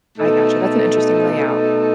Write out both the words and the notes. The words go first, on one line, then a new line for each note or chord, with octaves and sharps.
I gotcha. That's an interesting layout.
B2 A3 D#4 A4